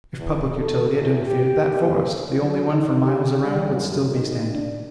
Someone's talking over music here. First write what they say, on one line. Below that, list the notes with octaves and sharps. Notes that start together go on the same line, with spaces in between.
If public utility had interfered, that forest--the only one for miles around--would still be standing.
E2
A4
E2
G4
A#2
F#3
D#4
G4
G3
F#2
D#3
D4